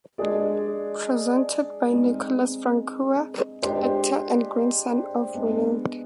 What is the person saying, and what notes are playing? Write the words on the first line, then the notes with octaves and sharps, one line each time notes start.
Presented by Nicholas Frankau, actor and grandson of Ronald.
G#3 D4 G#4 D5
G#3 C4 D#4
G#3 D4 G4 C5
G#3 B3 D4